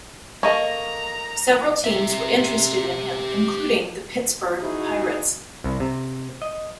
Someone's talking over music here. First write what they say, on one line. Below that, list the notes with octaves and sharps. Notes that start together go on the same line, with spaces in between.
Several teams were interested in him, including the Pittsburgh Pirates.
A#3 A4 D#5 A#5 C#6
G4 E5
D#4 E4 F#4 G#4
C2
C3
D#5